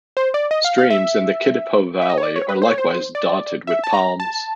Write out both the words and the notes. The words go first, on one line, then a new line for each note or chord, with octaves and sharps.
Streams in the Kidepo Valley are likewise dotted with palms.
C5
D5
D#5
F5
F5
E5
E5
D#5
C#5
D5
C#5
B4
C5
C#5
C5
D5
E5
A5
A#5
A5